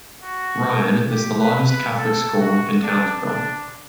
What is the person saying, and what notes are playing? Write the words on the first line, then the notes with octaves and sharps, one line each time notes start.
Ryan is the largest Catholic school in Townsville.
F#4
G4
B4
B4
A4
F#4
D4
D4